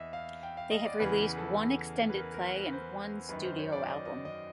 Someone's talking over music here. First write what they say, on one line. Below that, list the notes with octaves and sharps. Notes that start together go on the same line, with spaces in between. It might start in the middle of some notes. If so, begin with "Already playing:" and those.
They have released one extended play and one studio album.
Already playing: E2 D#5 E5
F5
G5
F5
D#5
D5
E2 C#3 E3 B4
B4
A4
B4
A#4
A#4
B4
C5
F#2 D#3 B4
C5
C#5
D5
D#5
D#5
D#5